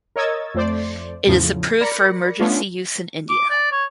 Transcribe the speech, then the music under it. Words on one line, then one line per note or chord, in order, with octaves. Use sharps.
It is approved for emergency use in India.
A#4 C#5 D#5 E6 G#6 A6
F2 A3 C5 D5
E2 A2 C#3 F3
A#4 D5 B5 A#6 C#7
A3 B3 C#4 D4 F4
D6
D5
C#5